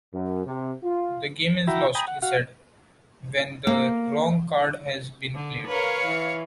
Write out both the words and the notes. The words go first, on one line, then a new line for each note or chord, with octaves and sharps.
The game is lost, he said, when the wrong card has been played.
F#2
C3
F4
E4 F#4 E5 G5 A#5 B5
G5 G#5 A#5 B5 D#6
F#5
F#4 F5 F#5
A#3
D3
A#4 B4 C#5 F5 C#7
E3